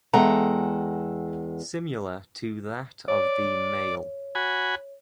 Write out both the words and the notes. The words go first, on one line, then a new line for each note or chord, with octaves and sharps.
Similar to that of the male.
E2 G#3 A4 F#5 G5 A#5
C#5 D5
F#4 G#5 B5